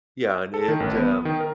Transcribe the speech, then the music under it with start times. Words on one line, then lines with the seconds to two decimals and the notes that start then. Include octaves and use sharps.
Yeah, and it, um,
0.54 A4
0.68 D#3
0.80 A1
0.96 B3
1.12 D#6
1.25 D#3
1.41 A#4